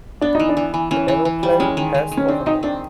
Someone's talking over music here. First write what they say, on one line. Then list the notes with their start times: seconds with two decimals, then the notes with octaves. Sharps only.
The aeroplane passed overhead.
0.21 B3 D4
0.35 E3 D#4
0.49 D4
0.57 E3
0.74 E3
0.91 E3 C#4
1.08 E3
1.25 E3
1.43 G3
1.60 G#3 C#4
1.77 D#3
1.94 D#3
2.12 D#3
2.17 C#4
2.28 C4 D4
2.46 D#3 D#4
2.63 C4 D4